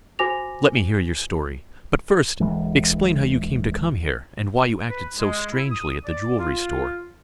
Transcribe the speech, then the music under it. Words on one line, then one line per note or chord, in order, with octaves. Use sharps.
"Let me hear your story. But first explain how you came to come here, and why you acted so strangely at the jewelry store."
F#4 C5 G#5 D6 A#6 F7
D1 E3 G#3
B4
G#3
E4
D#6
D5
F4